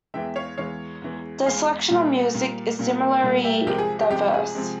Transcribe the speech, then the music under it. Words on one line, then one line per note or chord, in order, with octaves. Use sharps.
The selection of music is similarly diverse.
E2 E3 G#3 E5 G5
C#5 F5
E2 E3 G#3 C#5 F5
E2 E3 G#3
E2 E3 G#3 F5 G#5
A#2 G3 A#3
A#2 G3 A#3
A#2 G3 A#3
A#2 G3 A#3
E5 G5
C2 C3 F3 G#3 G4 A#4
G#4
G4
C2 C3 F3 G#3 G4
G#4
C3 F3 G#3